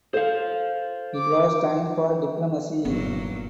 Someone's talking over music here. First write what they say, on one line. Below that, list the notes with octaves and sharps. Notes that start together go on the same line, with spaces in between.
It was time for diplomacy.
A4 C5 F5
D6
F#1 G2 A#2 F#3 B3